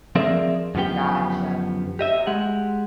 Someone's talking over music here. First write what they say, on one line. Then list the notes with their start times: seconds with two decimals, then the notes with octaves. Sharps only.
Gotcha, yeah.
0.15 F3 C4 G#4 A#4 D5 E5
0.75 F#2 D3 F3 B3 G4 G5
1.99 G4 D#5 E5
2.27 G#3 G4 F#5